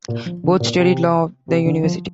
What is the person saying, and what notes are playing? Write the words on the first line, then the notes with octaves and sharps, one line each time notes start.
Both studied law at the university.
A#2
F3
D3
A#2
C3
C3
D3
F3